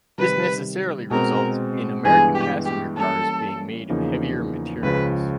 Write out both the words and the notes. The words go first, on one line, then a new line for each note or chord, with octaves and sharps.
This necessarily results in American passenger cars being made of heavier materials.
C3 D#3 G3 B4
B2 G#3 C4 A#4
G2 E3 G#3 B3 G#4
G4
G4
E3 G3 A#3 C#4 A4
E2 C#3 F3 A#3 D#4
C#2 C#3 F3 B4